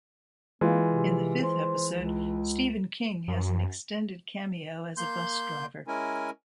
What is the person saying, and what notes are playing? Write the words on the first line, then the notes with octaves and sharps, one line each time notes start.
In the fifth episode, Stephen King has an extended cameo as a bus driver.
E3 G#3 A#3 F4
C3
C5
C#2
F#2
A#3 C6 G6
G#3 C#4 E4 A#4 G#5